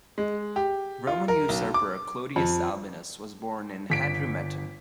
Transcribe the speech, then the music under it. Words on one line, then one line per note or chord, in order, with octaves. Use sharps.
Roman usurper Clodius Albinus was born in Hadrumetum.
G#3
G4
F4
A#4
B1
D6
F2
G1 B6 D7